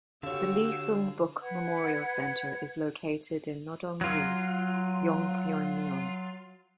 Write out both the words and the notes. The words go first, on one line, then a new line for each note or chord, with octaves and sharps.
The Lee Seung-bok Memorial Center is located in Nodong-ri, Yongpyeong-myeon.
D3 F#4 G4 C#5 F5 E6
B4 F#5 G#6
F#3 F4